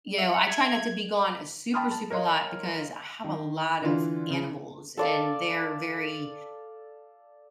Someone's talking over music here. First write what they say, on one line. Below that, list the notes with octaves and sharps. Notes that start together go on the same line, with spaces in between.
you know, I try not to be gone a super, super lot because I have a lot of animals, and they're very
E5 C#7
G#6
G5 A5 B5 C6 D#6 F6
A5
A#4 C#5 D#5 F5 C6
D#3
D3 E3 F4
C#3
A4 D5 F5